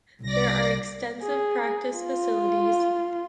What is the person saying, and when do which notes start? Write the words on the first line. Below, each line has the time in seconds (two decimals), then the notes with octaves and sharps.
There are extensive practice facilities.
0.22 C2 D5 A#6
1.22 G#4
1.97 F4